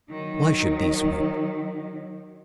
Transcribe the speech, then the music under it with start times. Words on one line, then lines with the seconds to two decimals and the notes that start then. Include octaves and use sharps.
Why should these weep?
0.10 D#3 F#3